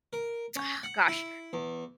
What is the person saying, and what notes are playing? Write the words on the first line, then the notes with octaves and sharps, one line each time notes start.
ugh, gosh,
A#4
C#4
F#5
E4
E2